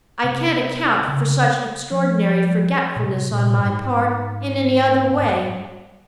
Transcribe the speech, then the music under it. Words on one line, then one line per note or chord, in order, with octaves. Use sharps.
I can't account for such extraordinary forgetfulness on my part in any other way.
C3
C#3
F3
A#2
C3
A#2
G#2
G#2